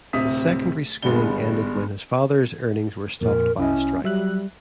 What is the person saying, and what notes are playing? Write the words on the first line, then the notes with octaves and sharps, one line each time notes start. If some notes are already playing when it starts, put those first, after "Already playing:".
His secondary schooling ended when his father's earnings were stopped by a strike.
D1 C3 E5 D#6 B6
G1 G3 G#3 B3 D4 G7
F2 A#2 A#4
C2 C#4 E4 D#5
F#3 G3 E5 F#6